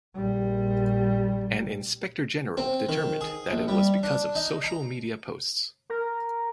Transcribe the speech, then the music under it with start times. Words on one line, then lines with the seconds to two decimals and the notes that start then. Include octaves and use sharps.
An inspector general determined that it was because of social media posts.
0.15 A#1 G3
2.57 C4
2.89 D#3
3.21 G#4
3.51 A#1
3.68 G3
4.03 D4
4.35 D#4
4.64 A#5
5.90 A#4